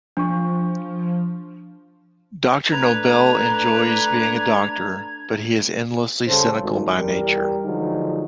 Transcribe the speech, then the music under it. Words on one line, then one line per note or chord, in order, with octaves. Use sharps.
Doctor Noble enjoys being a doctor, but he is endlessly cynical by nature.
F3 D4 C#6
A3 D4 B4 A#5 G#6
C#3 G3 A4 C5
G#1
E2 G3 G4 A#4
D3 F3 F#3 G#3 D#4